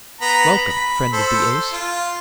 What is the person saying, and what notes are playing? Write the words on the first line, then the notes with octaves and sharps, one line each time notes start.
"Welcome, Friend of the Ace."
B3 A#5 B5
B5
A4 C5
F4